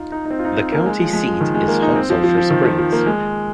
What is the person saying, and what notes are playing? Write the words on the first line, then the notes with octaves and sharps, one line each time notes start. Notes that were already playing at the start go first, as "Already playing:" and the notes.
The county seat is Hot Sulphur Springs.
Already playing: D#4 F4
D#4
D#4
C4
F4
D#4
C4
A#3
G#3
F3
G#3
F3
D#3
G#3
A#3
D#4
C4
F3
F3
F3
D#3
F3
F3
A#3
G#3